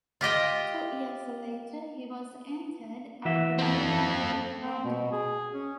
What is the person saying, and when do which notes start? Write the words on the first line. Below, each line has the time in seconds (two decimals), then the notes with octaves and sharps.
Two years later he was entered at the Middle Temple, London.
0.21 F4 G4 D#5 G5
3.25 E3 F#4 E5
3.59 C4 A4
4.62 C4
4.84 B2
5.12 G#4
5.53 C#4